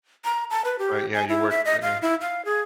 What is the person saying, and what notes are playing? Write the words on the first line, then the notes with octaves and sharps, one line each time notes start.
Right, yeah, you work for him.
A#5
A5
B4
G4
G#5
E4
E5
D#5
F5
E4
F5
G#4